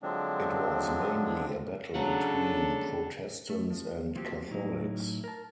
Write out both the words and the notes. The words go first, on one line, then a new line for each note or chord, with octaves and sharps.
It was mainly a battle between Protestants and Catholics.
D3 F3 F#3 G#3 C4 D4
C#3 F#3 D4 A4 F#5
A3
F3
F3 A#3 C4 F#4 G4
A2 F#3 D#4 E4
A#4 A5